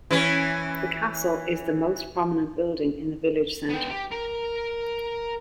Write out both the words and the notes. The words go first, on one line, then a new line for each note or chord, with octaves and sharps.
The Castle is the most prominent building at the village centre.
E3 C#4 C#5
B3 G5
G4
A#4